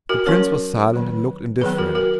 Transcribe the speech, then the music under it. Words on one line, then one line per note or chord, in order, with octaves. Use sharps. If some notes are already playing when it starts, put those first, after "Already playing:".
The prince was silent and looked indifferent.
F#4 A#4
F#3 A#3 C#4 A#4 C#5
D#3 F#3 B3
D#3 F#3 B3 G#4 B4
F#4 A#4
F#4 A#4